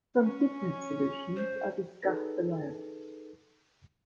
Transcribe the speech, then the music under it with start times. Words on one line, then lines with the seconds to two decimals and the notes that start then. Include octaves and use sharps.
Some different solutions are discussed below.
0.21 C#4
1.36 C5
2.03 D#4 G#4 A4 B4